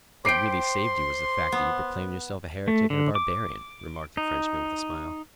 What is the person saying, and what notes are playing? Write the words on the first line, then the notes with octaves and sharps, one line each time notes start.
"What really saved you was the fact that you proclaimed yourself a heretic and a barbarian," remarked the Frenchman with a smile.
C5 G5 B5 C6 D6 C7 D7
B3
A3
D3
D6
D#4